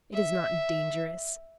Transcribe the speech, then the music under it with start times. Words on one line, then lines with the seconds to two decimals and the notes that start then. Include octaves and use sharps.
It is not dangerous.
0.13 E5